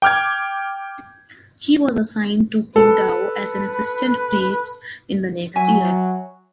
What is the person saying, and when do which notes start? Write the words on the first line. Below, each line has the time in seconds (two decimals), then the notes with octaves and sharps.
He was assigned to Qingdao as an assistant priests in the next year.
0.02 G5 D6 F6 G6 G#6
2.76 A4 B4
5.55 F#3 F#4 E5 G#5